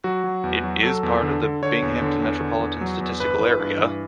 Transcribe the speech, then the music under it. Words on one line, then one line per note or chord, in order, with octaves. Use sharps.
It is part of the Binghamton Metropolitan Statistical Area.
F#3 F#4
F#3
E2
F#3
F#3 A4
E2
D3
D3
D3 C#5
E2
D3
E2
D3
E2
F#3
E2
G1 B4
E3
G2
E3